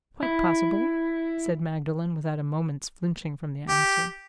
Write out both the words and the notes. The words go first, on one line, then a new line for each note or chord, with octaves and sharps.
"Quite possible," said Magdalen, without a moment's flinching from the answer.
E4
G4